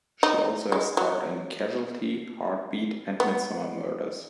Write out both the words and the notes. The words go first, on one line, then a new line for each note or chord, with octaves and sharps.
She has also starred in "Casualty", "Heartbeat" and "Midsomer Murders".
D#4
G#3
F#3
B3